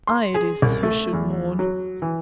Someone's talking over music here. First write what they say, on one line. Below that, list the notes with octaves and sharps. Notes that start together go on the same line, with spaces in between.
I it is who should mourn.
C6
G#4
C2
A3
E2
F#3
E3